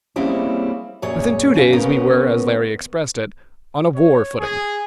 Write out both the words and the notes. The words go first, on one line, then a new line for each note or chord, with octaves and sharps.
Within two days we were, as Larry expressed it, on a war footing.
G3 A#3 C4 C#4 E4 G#4
F#2 A#2 G#4 C#5
C#3 B3 E4 F#4 F5
C#3 G#3 B3 C#4 A#4
C#5
G#4